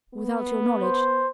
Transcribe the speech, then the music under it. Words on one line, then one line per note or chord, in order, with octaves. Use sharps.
"Without your knowledge?"
B3
C5